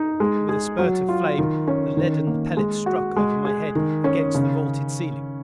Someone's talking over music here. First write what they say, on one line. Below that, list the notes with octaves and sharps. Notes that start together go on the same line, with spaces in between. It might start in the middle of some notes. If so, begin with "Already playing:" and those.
With a spurt of flame the leaden pellet struck over my head against the vaulted ceiling.
Already playing: D#4
G#3
G#4
F#3
F4
D#3
C#4
D#3
A#3
G#3
F#4
G#3
G#4
D#3
C#4
C#3